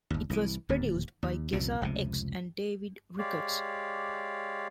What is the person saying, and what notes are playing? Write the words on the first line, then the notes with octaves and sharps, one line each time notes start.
It was produced by Geza X and David Ricketts.
G1 D#2
C2 D3 E3
D1 D#2 A#2
D#2
C2 F2 A#2 C#3
F1 C#2 C3
G#3 G4 C#5 D5 F5